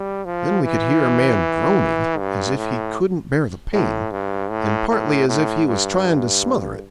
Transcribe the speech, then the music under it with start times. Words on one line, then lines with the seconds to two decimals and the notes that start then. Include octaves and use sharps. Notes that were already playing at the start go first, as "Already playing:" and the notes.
Then we could hear a man groaning, as if he couldn't bear the pain, and partly as if he was trying to smother it.
Already playing: G3
0.25 F3
0.63 E3
2.18 G2
2.56 A2
3.73 A2
4.12 G2
4.50 A2
4.89 A2
5.28 A2
5.66 G2